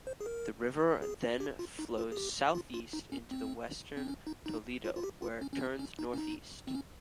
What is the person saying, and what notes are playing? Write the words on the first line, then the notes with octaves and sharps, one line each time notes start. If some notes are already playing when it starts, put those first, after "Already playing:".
The river then flows southeast into western Toledo, where it turns northeast.
C5
G#4
A#4
G#4
G4
F4
D#4
F4
G#4
G4
F4
F4
D#4
C#4
C4
C4
C#4
D#4
D#4
F4
F4
G4
F4
C#4
C#4
C4
C#4
D#4
C#4
D#4
C4
C#4